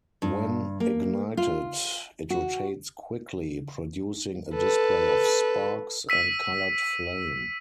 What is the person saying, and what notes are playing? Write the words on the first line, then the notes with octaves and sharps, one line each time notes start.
When ignited, it rotates quickly, producing a display of sparks and coloured flame.
G2
A#3
F4
F#4
A4 B4
E6 B6 D#7